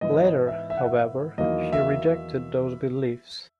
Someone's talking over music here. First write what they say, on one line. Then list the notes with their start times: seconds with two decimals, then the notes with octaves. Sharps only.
Later, however, she rejected those beliefs.
0.01 G#2 E3 B3 E4 D#5
0.24 D#5
0.47 E5
0.70 E5
0.77 F#5
0.85 E5
1.38 E2 D#3 F#3 A#3 D#5
1.72 E5